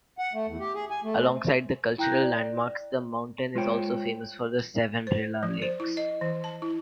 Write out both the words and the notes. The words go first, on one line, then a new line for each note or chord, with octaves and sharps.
Alongside the cultural landmarks the mountain is also famous for the Seven Rila Lakes.
F#5
A3
E2
G4
G#4
G#5
A3
C4
E4 G5 A#5 F#6 G6 A#6
D5
G#3 F4 C5 C#5 G5
C5
F3
C5
E4
D#5
E3
A5
E4